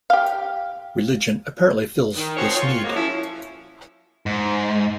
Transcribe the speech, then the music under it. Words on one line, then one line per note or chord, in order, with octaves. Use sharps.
Religion apparently fills this need.
G4 F5
D#3
F3 C4 F#4 G#4 C5 C#5
F4 C#5
F2 F3 F#3 G#3 A#3
F3 C#4 E4
G#2